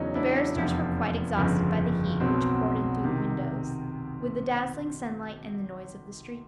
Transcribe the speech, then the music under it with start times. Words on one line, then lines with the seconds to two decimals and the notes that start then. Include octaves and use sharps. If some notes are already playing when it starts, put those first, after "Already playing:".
The barristers were quite exhausted by the heat which poured in through the windows, with the dazzling sunlight and the noise of the streets.
Already playing: E2 C#3 F#3 C#4 D#4
0.15 D4 E4
0.56 F1 E2 C3 F3
1.37 G1 F2 C#3 F3
2.20 B1 B2 F#3 C4
3.04 C3 D#3